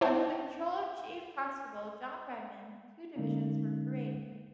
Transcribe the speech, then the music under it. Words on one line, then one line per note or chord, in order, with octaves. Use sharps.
Under the control of Chief Constable John Redman, two divisions were created.
E4 C5 C#5 G5 A5 C#6
D3 G#3 A#3 C#4 D#4